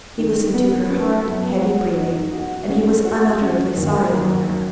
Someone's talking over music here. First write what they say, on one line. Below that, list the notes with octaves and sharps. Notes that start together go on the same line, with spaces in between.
He listened to her hard, heavy breathing, and he was unutterably sorry for her.
D#3
B3
C#4
F#3
F#4
D#4
F#4
C#4
F#4
C#4
D#2
F#3